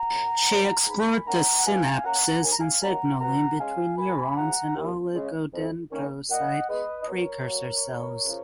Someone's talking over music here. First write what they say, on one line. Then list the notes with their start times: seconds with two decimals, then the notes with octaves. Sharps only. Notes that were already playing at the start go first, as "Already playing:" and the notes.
She explored the synapses and signaling between neurons and oligodendrocyte precursor cells.
Already playing: F#5 A#5
0.11 F#2
0.49 D#3 F#3
0.88 G#2 G#5 B5
1.26 D#3 A#3 C#4 F#5 A#5
1.58 F#5
1.65 B2 F5 G#5
2.04 A#3 C#4 F#5 A#5
2.43 D#2 G#5
2.52 A#5
2.60 F5 G#5
2.82 D#3 F#3 A#3 C#4 F#5 A#5
3.20 B2 F#5 A#5
3.59 G#3 C#4 F5 G#5
3.98 A#2 G#5 B5
4.36 F3 G#3 F#5 A#5
4.75 D#2
5.13 C#3 G#3
5.53 F2
5.91 D#3 A#3 C#4
6.30 A#2 D#5 F#5
6.69 G#3 B3 B4 D#5
7.01 D#5
7.07 B2 A#4 C#5
7.46 F#3 A#3
7.85 D#2
8.24 C#3 F3